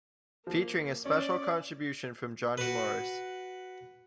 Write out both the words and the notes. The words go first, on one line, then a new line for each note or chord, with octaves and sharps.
Featuring a special contribution from Johnny Morris.
F3 A#3
C#4 D5
F#4 B4